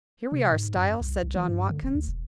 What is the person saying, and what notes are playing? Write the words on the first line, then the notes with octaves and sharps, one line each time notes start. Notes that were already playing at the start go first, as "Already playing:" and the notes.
"Here we are, Styles," said John Watkins.
C3
G#2
F#2
C2
C2
E3
G2
D3
E1
D2
E1